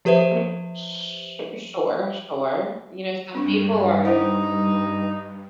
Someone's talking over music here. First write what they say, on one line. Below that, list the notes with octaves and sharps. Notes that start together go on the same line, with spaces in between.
Uh uh, sure sure, sure. You know, some people are n
F3 G4 B4 C5 E5
G2 C4 D4
D#4 E4 C5 F#5